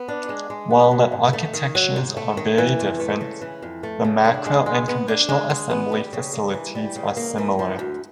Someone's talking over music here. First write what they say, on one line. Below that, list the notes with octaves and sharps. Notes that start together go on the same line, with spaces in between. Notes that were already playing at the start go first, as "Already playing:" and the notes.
While the architectures are very different, the macro and conditional assembly facilities are similar.
Already playing: B3
D4
G#3
G#3
B3
F#3
G#2
A3
D#3
F#3
G#2
A3
D#3
E3
F2
A3
C#3
E3
F2
A3
C#3
D4
G#3
G#3
B3
D4
G#3
G#3
B3
G3
C#3
A#3
E3
G3
C#3
A#3
E3
F3
D2